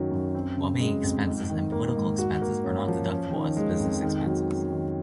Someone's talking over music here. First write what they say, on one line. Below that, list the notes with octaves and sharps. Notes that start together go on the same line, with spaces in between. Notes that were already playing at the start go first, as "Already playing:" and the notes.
Lobbying expenses and political expenses are not deductible as business expenses.
Already playing: F#2 D#3 F#3
F#2
C4
C#3
G#3
F2
G#2
D#3
A#3
G#2
F#4
A#3
C#4
F3
C#4
D#3
G#3
F2
D#3
F#3
C#4
D#3